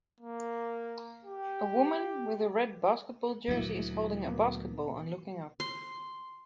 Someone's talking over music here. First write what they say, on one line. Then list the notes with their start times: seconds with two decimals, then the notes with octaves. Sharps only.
A woman with a red basketball jersey is holding a basketball and looking up.
0.20 A#3
1.25 G4
3.48 D2 A#2 F#3 A#3 E4
4.27 A#2 A#3 B3
5.60 C6